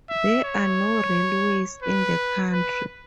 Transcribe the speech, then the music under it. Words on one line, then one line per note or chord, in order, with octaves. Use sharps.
There are no railways in the country.
E5
C#5
B4
B4